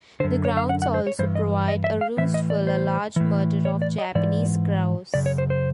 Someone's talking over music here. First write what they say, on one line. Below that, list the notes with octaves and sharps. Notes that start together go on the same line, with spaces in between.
The grounds also provide a roost for a large murder of Japanese crows.
F#2 D3 C5
C#5
F5
F#5
F#5
C5
C#5
G2 E3 C5
D#5
D#5
E5
F5
A2 E3 E5
D#5
D5
C5
A2 E3
C#5
D5
D#5
G#2 E3 D5
F#2 C#3 D5
C#5
C5
C5